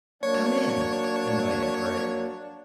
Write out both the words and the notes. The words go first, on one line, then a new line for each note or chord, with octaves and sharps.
"Come in," invited Gregg.
F#3 A#3 D4 C#5